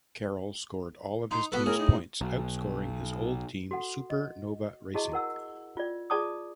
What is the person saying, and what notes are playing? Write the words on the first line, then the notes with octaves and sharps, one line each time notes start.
Carroll scored all of his team's points, outscoring his old team Super Nova Racing.
D#4 C6
B3 F#4 A4 B4
A2 G#4 A#4
D#4
B1
F#4 A4 F#5
D#5
E4 F#4 G#4 D#5 A5 C#6
E4 A#4 F#5 E6
F4 D5
F4 G#4 D5 A5 D6 D#6